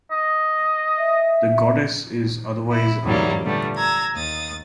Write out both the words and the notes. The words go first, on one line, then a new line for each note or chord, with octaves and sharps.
The goddess is otherwise unknown.
D#5
E5
E4
E2 G#2 D3 F#3 G3 A#3
A#2 D3 G3 A3 B3
A#5 E6 G#6 A#6
D#2 D#6 A6